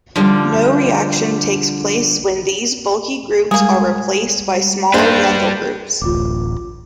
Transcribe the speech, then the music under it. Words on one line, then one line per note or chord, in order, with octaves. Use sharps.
No reaction takes place when these bulky groups are replaced by smaller methyl groups.
D3 F3 G3
G3 G#3 A#3 G#4
D#3 G3 A#3 D4 B4 C5
D1 A1 F4 D6